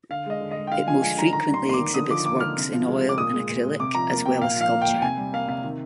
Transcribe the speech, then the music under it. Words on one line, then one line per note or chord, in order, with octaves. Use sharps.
It most frequently exhibits works in oil and acrylic, as well as sculpture.
D3 F5
G#3 D#5
D3
G#3 D#5
G5
D3 F5
F3 G#5
G#3 G#5
D3 A#5
D#3 A#5
G3
C6
A#3 C6
D6
D#3
D3 D#6
F3 D6
A#3 D6
D3 F6
C3
F3
G#3
C3
D6
A#2 D#6
G#3
A#2
G#3
C3 D6
F3 A#5
A#3
C3 G5
A#2 F5
F3 F5
A#3
G5
A#2
C3 G#5
G3
A#3 F5
C3 F5
D#3